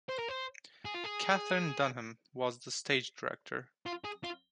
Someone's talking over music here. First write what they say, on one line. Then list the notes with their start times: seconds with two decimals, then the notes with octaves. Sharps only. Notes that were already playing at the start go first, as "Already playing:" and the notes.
Katherine Dunham was stage director.
0.09 C5
0.19 A#4
0.29 C5
0.85 G#4
0.95 F4
1.05 G#4
3.86 F4
4.04 G#4
4.23 F4